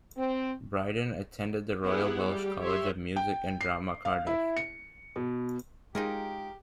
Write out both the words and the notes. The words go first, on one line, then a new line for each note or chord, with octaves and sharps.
Brydon attended the Royal Welsh College of Music and Drama, Cardiff.
C4
B3 E4 G4 G#4 F#5
G3 G4
G4 C#5 E5 C6
G5
C7
F5
E4
C#7
B2
G#3 D#4 F4 G4 G#4 A#4